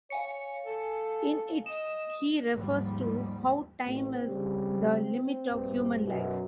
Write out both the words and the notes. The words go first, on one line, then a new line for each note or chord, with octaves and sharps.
In it, he refers to how time is the limit of human life.
C#5 F5 G#5 C#7
A4
D#5 E7
D#2 G#2 F3 G3
A1 C4
C#3 G3
A#1 G2
F#2 B2